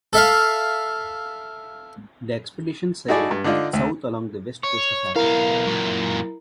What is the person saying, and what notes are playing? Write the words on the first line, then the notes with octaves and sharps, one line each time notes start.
The expedition sailed south along the west coast of Africa.
A4 E5 F5
D#4 E4 F#4 G#4 A4 D5
G2
D3 D4 D#4 F4
D2
C#5 C#6
B1 E4 A#4 F5 A#5
F#2 A#2